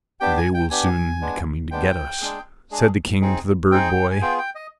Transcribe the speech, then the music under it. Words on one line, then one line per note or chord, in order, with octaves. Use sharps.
"They will soon be coming to get us," said the King to the bird-boy.
B3 D4 G4 G5
G#5
G5
B3 D4 G4 G#5
G#3 B3 D4
G#3 B3 D4 G5
G#3 D4 G#4
G#3 D4 G#4
C4 D#4 G#4
C4 D#4 G#4 G5
G#5
B3 F4 G#4 G5
G5
D#5